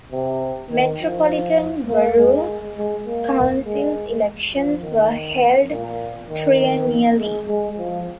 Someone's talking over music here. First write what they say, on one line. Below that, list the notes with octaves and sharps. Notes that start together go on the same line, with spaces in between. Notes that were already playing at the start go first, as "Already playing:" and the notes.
Metropolitan borough councils elections were held triennially.
C3
D#3
F3
A#3
G#3
G#3
A#3
G#3
F3
D#3
A#2
D#3
G#3
G#3
F3